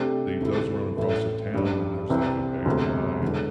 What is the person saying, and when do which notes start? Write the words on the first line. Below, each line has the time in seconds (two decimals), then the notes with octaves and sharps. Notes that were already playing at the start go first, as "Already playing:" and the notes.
He does run across the town and there's, like, a bad guy
Already playing: C3 A3 D4 G4 C5
0.40 D2 C3 A3 E4
0.97 A1 A2 A3
1.53 A1 G2 G3 D4
2.10 C2 C3 E3 C4
2.65 E1 D2 C3
3.22 E1 E2 D3